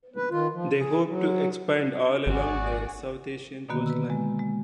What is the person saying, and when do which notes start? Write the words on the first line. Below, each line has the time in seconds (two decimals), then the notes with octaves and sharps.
They hope to expand all along the South Asian coastline.
0.16 B4
0.30 D#3 F4
0.53 F3
0.78 G#4
1.07 F#3
2.26 G#1 F#4 G#4 D5
3.69 B2 D3 D#3 A#3 B3 F#4
3.86 B4 E6
4.10 G#3
4.39 G#3